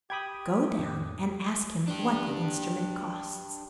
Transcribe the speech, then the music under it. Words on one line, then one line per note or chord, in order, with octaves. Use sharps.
Go down and ask him what the instrument costs.'
G4 G5 B5 D#6 G#6
F2 A2 D#3
D4 G4